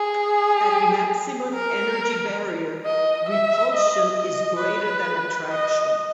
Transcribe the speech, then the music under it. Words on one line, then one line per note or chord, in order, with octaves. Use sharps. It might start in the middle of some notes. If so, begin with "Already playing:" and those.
At maximum energy barrier, repulsion is greater than attraction.
Already playing: G#4
A#4
D#5
E5
D#5
D#5
B4
D#5